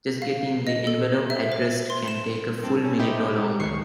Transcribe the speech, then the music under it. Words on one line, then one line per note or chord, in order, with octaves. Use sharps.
Just getting the envelope addressed can take a full minute or longer.
F5
D#5
A4
E5
C5
C6
E7
G2 C4 A4
C#4
D#4 E4 G4 C5 D#5 E5
C#2 D#3 C#6 C7 C#7